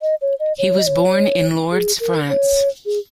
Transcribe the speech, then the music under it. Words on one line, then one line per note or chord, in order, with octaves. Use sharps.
He was born in Lourdes, France.
D#5
C#5
D#5
C#5
D#5
C#5
G#4
A#4
C#5
G#4